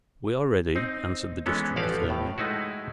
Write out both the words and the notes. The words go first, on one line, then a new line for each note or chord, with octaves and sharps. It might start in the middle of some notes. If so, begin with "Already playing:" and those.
"We are ready," answered the District Attorney.
C4 D#4
E3 G#3 B3 C#4 A4
A1 F3 F#4 G4 D5 F5
A2
G#3 A3 D#4 E4 F#4